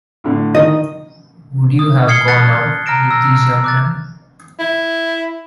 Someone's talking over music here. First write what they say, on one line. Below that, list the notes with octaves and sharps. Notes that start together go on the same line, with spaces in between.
Would you have gone out with these young men?
A2 D3
D#3 D#5
D#6
D#6 F6 G#6 C7 C#7 G7
A5 F#6 A6 B6 C#7
A#5 F6 A#6 D7 E7
E6 A#6
D6 F#6 A6
E4